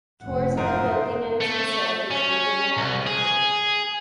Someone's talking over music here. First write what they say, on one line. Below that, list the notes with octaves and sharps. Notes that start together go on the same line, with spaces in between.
Tours of the building and its facilities were given at the time.
F1 F#5
F#1 G#2 D#4 A#4 C5 F#5
A3
C#4
C2
G#4